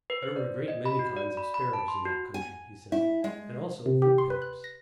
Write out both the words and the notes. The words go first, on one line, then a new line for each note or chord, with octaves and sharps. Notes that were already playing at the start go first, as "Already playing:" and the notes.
There were a great many kinds of sparrows in that country, he said, and also of woodpeckers.
B4
C5
D5
D#5
B5
F#4
D5
B5
B5
A5
C6
F#4
G#5
E4
G#3
C3
G4
C6
B4
F#6
A#6